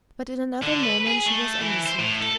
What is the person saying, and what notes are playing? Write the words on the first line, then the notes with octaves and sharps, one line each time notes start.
But in another moment she was undeceived.
D3
B4
G#4
A3
E3
C5
A2
A4